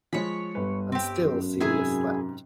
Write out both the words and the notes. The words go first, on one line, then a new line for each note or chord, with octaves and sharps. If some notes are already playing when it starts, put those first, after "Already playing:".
And still Celia slept.
F3 G#3 C#5 B5
G1 G3 B4
C4 G4
F#2
G#2 C3 E4 G#4 G#5